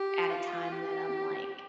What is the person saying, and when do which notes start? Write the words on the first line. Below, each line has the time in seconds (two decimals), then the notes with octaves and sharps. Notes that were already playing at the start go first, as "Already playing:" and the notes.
at a time that I'm, like,
Already playing: G4
0.30 F4
0.72 G4